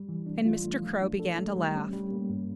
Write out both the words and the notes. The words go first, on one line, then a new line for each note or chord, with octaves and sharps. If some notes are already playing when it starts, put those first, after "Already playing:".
And Mr. Crow began to laugh.
Already playing: G3
E3
D4
F4
A3
F3
D4
A4
A3
G3
C#4
G3
A#3
G2